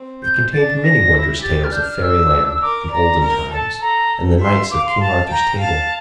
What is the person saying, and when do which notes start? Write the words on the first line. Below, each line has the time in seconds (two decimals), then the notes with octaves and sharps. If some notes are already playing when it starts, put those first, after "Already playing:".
It contained many wondrous tales of Fairy Land, and olden times, and the Knights of King Arthur's table.
Already playing: C4
0.23 G6
0.53 D4 A6
0.83 A#6
1.13 E4
1.43 G4 A6
1.64 F6
1.72 D4 G6
1.82 F6
1.93 F6
2.02 E6
2.50 E6
2.62 A#4 D6
2.92 D5 A#5
3.22 A#4
3.51 A4 A5
3.81 A4 A#5
4.41 E5 C6
4.71 F5 D6
4.86 C6
5.00 F5 A5
5.31 G5 A#5
5.60 F5 A5